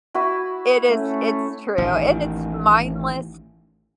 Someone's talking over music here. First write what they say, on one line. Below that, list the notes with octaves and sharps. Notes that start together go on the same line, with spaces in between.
It is it's true, and it's mindless.
E4 F#4 B4
A3 C#4
A1 D#3